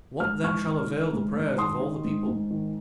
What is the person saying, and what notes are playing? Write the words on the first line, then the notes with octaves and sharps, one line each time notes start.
What, then, shall avail the prayers of All the People?
G#2 F6
G#2 C#6 F6
D#3
D#3
G#2
G#2
D#3 C6 D#6
D#3
G#2
G#2
D#3